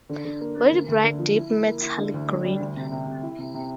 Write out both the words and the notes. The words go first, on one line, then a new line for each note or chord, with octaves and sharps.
Body bright deep metallic green.
D3
D3
A#3
A#3
D2
D2
D3
F3
E4
E4
A#3
E4
D3
D2
G3
G3
D2
C3
C3
C3
E4
C3
C3